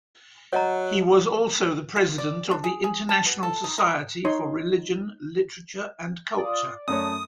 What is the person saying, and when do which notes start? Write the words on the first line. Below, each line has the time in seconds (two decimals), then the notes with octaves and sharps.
He was also the President of the International Society for Religion, Literature and Culture.
0.53 F#3 C#5 D#5 F#5 A#5
1.96 F4
2.18 D5
2.51 D4
2.64 G#4
2.84 G#4
3.09 A5
3.26 B2
3.43 A4
3.64 D#4
3.78 A#4
4.25 D#4 C#5 C6
6.38 F4 D5 D#6
6.88 F#2 A3 C#5 A5 D#6